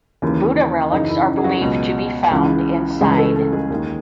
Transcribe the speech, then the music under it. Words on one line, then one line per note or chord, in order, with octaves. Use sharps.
Buddha relics are believed to be found inside.
D#2 C#3 E3
F#2 C#3 E3 D#4
E4
G#4
F#3 F#4
C#2 B2
C#2 C#3 E3
C#2 C#3 E3 G#3 G#4
B4
A3 A4
A3 A4
G#3 G#4
D#2 D#3